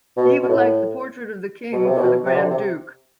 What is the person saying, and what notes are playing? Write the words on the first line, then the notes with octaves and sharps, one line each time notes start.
He would like the portrait of the king for the Grand Duke.
B2
B2
A2
B2
C3
B2
C3
D3
C3